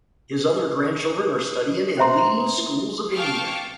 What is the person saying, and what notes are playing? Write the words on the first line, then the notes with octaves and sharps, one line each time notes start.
His other grandchildren are studying in leading schools of India.
C#4 C5 E5 A#5 C6
E4
F5 G5 A5 C#6 D6 F6